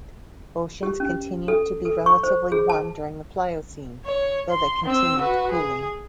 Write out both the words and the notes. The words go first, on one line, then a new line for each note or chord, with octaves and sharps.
Oceans continued to be relatively warm during the Pliocene, though they continued cooling.
G4
C#4
A4
A4
C#6
C5
G#4
A5
C#5
C6
C4 E6
F#4 B4
G#4